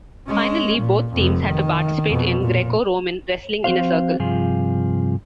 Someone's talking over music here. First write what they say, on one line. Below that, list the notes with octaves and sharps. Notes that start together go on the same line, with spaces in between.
Finally, both teams had to participate in Greco-Roman wrestling in a circle.
G#3 C#4
A#2
F1 F2
D#3
F2 B2
A#2
F3 C4 C#4 F#4 C5 F5
G2 C3 F3 F4 G#4